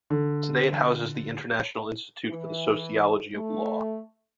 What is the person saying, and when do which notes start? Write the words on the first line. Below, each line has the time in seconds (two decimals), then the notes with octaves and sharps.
Today it houses the International Institute for the Sociology of Law.
0.10 D3
2.29 E3
3.34 A3